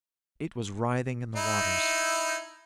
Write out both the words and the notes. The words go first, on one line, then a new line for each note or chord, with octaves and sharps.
It was writhing in the waters.
D#4 E4